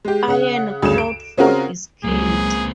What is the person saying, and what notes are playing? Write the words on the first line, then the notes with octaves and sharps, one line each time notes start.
Ian Crawford is killed.
G#3 G4
C#3 F#5
D2 G2 C#3 E7
D7
C#3 C4 C#4 F4 F#4 A#4
C#2 F#3 A#3 C4 G#4